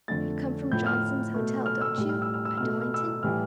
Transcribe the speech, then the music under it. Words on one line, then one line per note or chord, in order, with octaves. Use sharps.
'You come from Johnson's Hotel--don't you--at Dollington?'
F2 D3 A3 A6
A2 F3 A3 G6
F6
B2 A3
F6
E6
A2 G3 E6
F6
E6
F6
E6
B2 A3 F6
E6
F6
E6
A2 E3 G3 F6